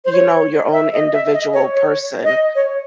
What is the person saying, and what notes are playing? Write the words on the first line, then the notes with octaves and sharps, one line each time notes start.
you know, your own individual person
C5
C#5
E5
D#5
E5
D#5
C#5
C#5
D#5
C#5